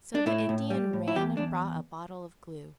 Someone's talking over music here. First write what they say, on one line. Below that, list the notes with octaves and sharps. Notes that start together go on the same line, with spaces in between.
So the Indian ran and brought a bottle of glue.
D4
A2 E4
A2
G3
A2
E4
E2 G4
E2 D4